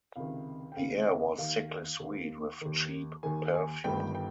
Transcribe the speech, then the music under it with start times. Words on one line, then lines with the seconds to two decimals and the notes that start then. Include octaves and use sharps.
The air was sickly sweet with cheap perfume.
0.16 C#2 C3 D#3 F5
0.72 G5
0.76 C#2 C3 D#3 F5
1.08 D#5
1.38 D#2 D#3 F5
2.00 D#2 D#3
2.61 D#2 D#3
3.23 D#2 D#3 G#5
3.54 G#5
3.84 G1 G2 D#3 G5
4.15 G5